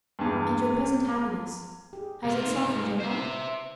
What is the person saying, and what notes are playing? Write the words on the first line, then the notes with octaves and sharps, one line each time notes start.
"And your present happiness, has it softened your heart?"
E2 G2
G4 G#4
G#2 C3 F4
D#4 B4
C5 E5